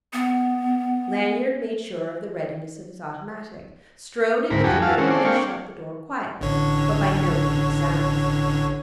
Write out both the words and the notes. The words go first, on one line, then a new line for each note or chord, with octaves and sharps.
Lanyard made sure of the readiness of his automatic, strode into the room, and shut the door quietly but by no means soundlessly.
B3
D2 G#2 C4 A#4 B5
F2 G3 F#4 G4 A4 G#5
F4 F#4 G#4 E5 F5 A5
E3 G#3 A3 C4 C#4 F#4
C4 G#4 A4 D5
A#3 C4 D4 F5 G5 C#6
A1 D3 C#5